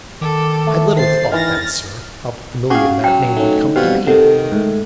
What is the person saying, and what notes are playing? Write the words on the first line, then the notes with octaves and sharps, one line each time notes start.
I little thought then, sir, how familiar that name would come to be!'
D#3 A4 D6
A3
C5 A6 C7
D#3 E3 F6 A6 A#6
C#4 F#4 G#4 F5 C#6 D6
F#3 G5
A3 C#4 D#4
B2 G3 C4 F5
C3 D#3 A4 F#5
G#2 A3